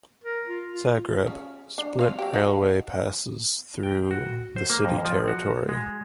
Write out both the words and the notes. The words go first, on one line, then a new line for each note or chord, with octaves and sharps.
Zagreb - Split railway passes through the city territory.
A#4
F4
F4
C#3
D4
C4 F5
F#3 G#3 G4
D#4 F#4 F5
G5
F#4
C5
A#3
F2
F3
F#4
G#3